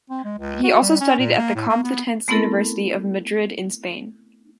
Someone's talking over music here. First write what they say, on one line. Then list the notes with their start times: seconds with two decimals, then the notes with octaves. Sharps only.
He also studied at the Complutense University of Madrid in Spain.
0.10 C4
0.24 G#3
0.39 C#2
0.64 F#4
0.82 G3
1.01 C#4
1.18 A#2
1.38 A#3
1.55 A2
1.69 A#3
1.84 B3
2.28 A3 B3 C4 E4 A4 A#4